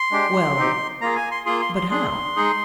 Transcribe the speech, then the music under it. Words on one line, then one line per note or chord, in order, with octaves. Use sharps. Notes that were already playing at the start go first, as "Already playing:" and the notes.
"Well; but how?"
Already playing: C6
G#3 D4 G4
C4 D#4 G4
A#3 F4 G#4 A#5
G#5
C6
A#3 F4 G#4 C6
C6
C6
D4 G#4 C6
G#3 D#4 G#4